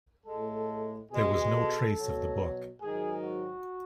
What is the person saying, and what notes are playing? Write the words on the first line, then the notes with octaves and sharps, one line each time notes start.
There was no trace of the book.
A2 G#3 A4
B2 G#3 G#4
A4
B2 F#3
G#2 D#3 F#3 G#4
F#4